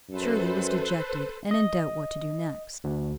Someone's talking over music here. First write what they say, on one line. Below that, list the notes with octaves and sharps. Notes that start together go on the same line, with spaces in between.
Shirley was dejected and in doubt what to do next.
F#2 A4 B4 C5
D#5
D2